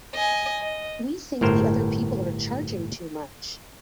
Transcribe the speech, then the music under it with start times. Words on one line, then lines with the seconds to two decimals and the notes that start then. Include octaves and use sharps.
We think the other people are charging too much.
0.14 D#5 G#5
0.62 D#5
1.41 G1 A2 A#4 C5